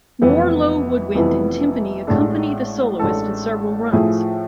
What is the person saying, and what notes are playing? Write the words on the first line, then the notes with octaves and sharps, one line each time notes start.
More low woodwind and timpani accompany the soloist in several runs.
F1 F2 E3 B3 E4
F1 F2 E3 B3 E4
A1 A2 G#3 D4 A4
A1 A2 G#3 D4 A4
A2 F3 A3 E4 G#4